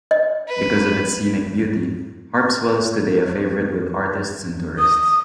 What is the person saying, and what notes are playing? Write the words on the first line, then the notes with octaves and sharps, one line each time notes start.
Because of its scenic beauty, Harpswell is today a favorite with artists and tourists.
D#5
B4
D#6